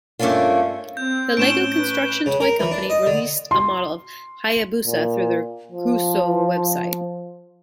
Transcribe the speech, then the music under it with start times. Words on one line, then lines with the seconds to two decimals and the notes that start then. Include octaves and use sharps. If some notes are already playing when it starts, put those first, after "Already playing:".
The Lego construction toy company released a model of "Hayabusa" through their Cuusoo website.
0.19 G2 A3 A#3 C#4 D4 F4
0.97 C4 G6
1.37 A2 C#4 D7 E7 G7
1.76 B4
2.26 C#3
2.40 A#4
2.59 E3
2.71 D4
2.90 D#5
3.06 D3
3.51 C6
4.86 A#2
5.72 F3